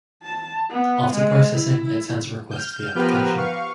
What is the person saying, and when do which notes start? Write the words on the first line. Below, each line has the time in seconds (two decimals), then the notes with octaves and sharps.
After processing, it sends a request to the application.
0.22 A5
0.70 B3
1.13 G#3
1.51 E4
2.51 F6 G6
2.95 F3 B3 G4 A#4 B4 F6
3.38 F5 C#6